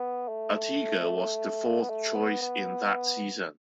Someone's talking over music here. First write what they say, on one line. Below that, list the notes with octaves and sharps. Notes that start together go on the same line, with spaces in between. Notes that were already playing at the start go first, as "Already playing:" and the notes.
Arteaga was the fourth choice in that season.
Already playing: B3
A3
B3
A3
B3
B3